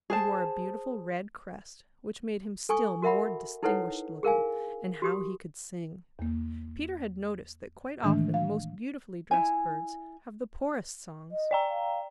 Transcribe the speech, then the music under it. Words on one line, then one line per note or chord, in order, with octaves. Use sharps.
He wore a beautiful red crest which made him still more distinguished looking, and how he could sing! Peter had noticed that quite often the most beautifully dressed birds have the poorest songs.
G#4 C5 A5
A4 G#5 C#6 D#6
F#4 A#4 E5 F#5 B5
D#4 E4 A4 B4 C#5 F#5
G#4 A#4 F5 G#5
F#4 G4 D#6
E2 A#3
A2 D#3 E3 G#3 A3 D4
F5
E4 G#5
D#5
D5 G5 A#5
F5